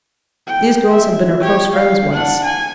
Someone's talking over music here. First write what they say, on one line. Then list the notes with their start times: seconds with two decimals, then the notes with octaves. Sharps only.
These girls had been her close friends once.
0.47 G5
0.90 E5
1.40 G4 C#5
1.73 F5
2.12 D4 F#5
2.44 G#5